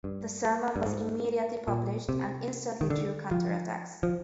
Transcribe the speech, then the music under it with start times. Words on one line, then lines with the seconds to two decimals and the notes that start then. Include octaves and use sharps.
The sermon was immediately published and instantly drew counter-attacks.
0.04 G2
0.76 G2
0.86 G#2
1.68 A#2
2.09 C3
2.81 D#3
2.90 D3
3.31 F3
4.03 F3